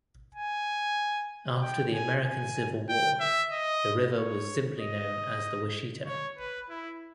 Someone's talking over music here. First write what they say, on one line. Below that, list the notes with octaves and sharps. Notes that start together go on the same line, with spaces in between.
After the American Civil War, the river was simply known as the Washita.
G#5
G5
G#5
G#5
G5
E5
D#5
C#5
D#5
C#5
B4
E4